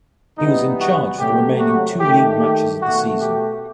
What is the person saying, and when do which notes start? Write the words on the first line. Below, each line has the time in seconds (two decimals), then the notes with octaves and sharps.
He was in charge for the remaining two league matches of the season.
0.38 C3 E3 G3 B3 D#4
0.79 F#4
1.20 C3 F#3 A3 G4
1.60 F#4
2.00 D#3 A3 G4
2.40 G4
2.81 B2 A3 F#4
3.21 G4